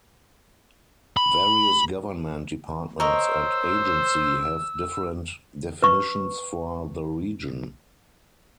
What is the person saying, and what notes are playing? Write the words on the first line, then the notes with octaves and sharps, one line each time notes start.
Various Government Departments and agencies have different definitions for the region.
B5
A#4 C5 C#5 D#5 E6
B4 C#6